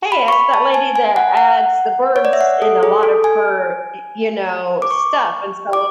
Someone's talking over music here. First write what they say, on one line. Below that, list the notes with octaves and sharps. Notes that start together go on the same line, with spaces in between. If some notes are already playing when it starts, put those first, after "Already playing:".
"Hey it's that lady that adds the birds in a lot of her, y you know, stuff," and so,
B5
C#6
B5
A5
G#5
G#5
F#5
F#5
C#5
D5
E5
F#5
A4
G#4
A4
G#5
D6
C#6
D6